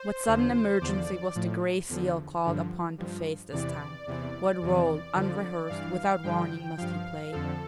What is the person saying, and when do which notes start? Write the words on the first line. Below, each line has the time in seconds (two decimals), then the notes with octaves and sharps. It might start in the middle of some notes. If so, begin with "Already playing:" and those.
What sudden emergency was the Gray Seal called upon to face this time--what role, unrehearsed, without warning, must he play?
Already playing: C5
0.27 E2 D3 F3
0.81 E2 D3 F3 D5
1.35 A2 F3
1.89 E2 D3 F3
2.44 G2 D3 F3
2.98 G2 F3
3.52 E2 C3 E3 D5
4.07 E2 C3 E3
4.61 E2 C3 E3
5.15 F2 D3 F3
5.69 G2 E3 F5
6.23 G2 D3 F3 G5
6.77 G2 F3 F5
7.32 F2 D3 F3 A4